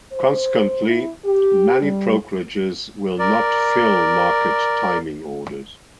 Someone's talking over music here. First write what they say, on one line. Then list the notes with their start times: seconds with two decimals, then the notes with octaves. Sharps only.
Consequently, many brokerages will not fill market-timing orders.
0.11 C5
0.86 E4
1.24 G4
1.81 G3
3.19 A#4 D5